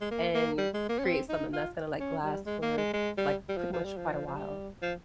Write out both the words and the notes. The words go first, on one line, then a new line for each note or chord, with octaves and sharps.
and create something that's gonna, like, last for, like, pretty much quite a while.
G#3
A#3
A#3
G3
G#3
A#3
C#4
C4
D#4
F4
C#4
G3
G#3
A#3
G#3
G#3
G3
G3
F3
F3
G3
F3
F3
G3
F3